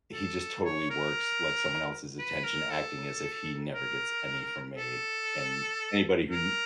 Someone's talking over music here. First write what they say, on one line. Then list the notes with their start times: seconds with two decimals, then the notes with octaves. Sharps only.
he just totally works like someone else's attention, acting as if he never gets any from me, and anybody who kn
0.13 A4
0.65 C#5
0.90 A#4
2.19 B4
2.45 A#4
2.71 A4
3.74 A#4
4.77 A4
6.31 A#4